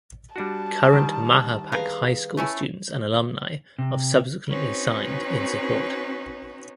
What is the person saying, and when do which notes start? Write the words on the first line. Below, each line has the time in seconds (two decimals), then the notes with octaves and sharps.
Current Mahopac High School students and alumni of subsequently signed in support.
0.36 G3 D4 F#4 A5
0.93 D#3 G3 D4
1.72 G#4 A#4 B4 F5
2.37 A3 C#4 E4
3.79 C3
4.49 C4 C#4 D#4 F#4 B4 C#5